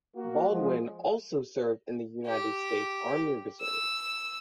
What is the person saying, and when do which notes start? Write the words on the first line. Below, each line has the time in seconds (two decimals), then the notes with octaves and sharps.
Baldwin also served in the United States Army Reserve.
0.16 A#3 F#4
0.51 F3 G#3
2.28 G4
3.61 E6